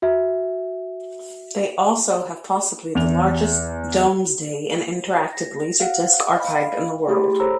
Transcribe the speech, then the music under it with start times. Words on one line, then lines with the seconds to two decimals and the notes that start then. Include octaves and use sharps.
They also have possibly the largest Domesday and interactive laserdisc archive in the world.
0.02 F#4 E5
2.95 E2 F7
5.33 A#6
5.80 F5 F#5
6.37 D#5 F5 B5
7.08 A3 E4 G4 G#4 B5 C6
7.40 A4 C5 C#5 A#5 B5 E6